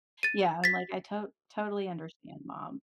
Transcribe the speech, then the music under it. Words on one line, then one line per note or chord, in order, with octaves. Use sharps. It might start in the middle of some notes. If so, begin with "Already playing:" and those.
yeah, I'm like, "I to totally understand, mom."
A6 D#7
A6 B6